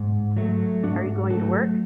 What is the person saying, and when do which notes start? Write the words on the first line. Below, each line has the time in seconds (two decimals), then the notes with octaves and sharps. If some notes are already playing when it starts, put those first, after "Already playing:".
Are you going to work?
Already playing: G#2
0.37 F#3 A3
0.83 G#2 D4 F#4
1.30 F#3 A3 F#4 A4